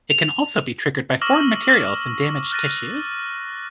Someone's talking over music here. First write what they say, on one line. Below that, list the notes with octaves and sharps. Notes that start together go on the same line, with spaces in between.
It can also be triggered by foreign materials and damaged tissues.
F7
C#6 D6 E6 F6 A#6 F#7
F6 F#6 A6 A#6 D#7